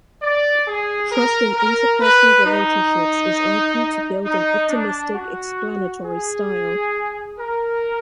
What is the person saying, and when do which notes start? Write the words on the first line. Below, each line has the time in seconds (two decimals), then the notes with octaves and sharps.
Trust in interpersonal relationships is argued to build an optimistic explanatory style.
0.22 D5
0.66 G#4
1.11 A#4
1.56 A#4
2.01 B4
2.45 D#4
4.25 D#4
4.69 D4
5.14 F#4
6.04 G#4
7.38 A#4